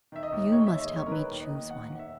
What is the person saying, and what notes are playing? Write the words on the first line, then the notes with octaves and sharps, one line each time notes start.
You must help me choose one.
D#3 E5
D#5
D#2
G#3 C#5
E5
D#2
D#5
G#3
C#5
A#4
D#3 B4
D#2
D#5
D#2
D#3 F#5
D#2
E5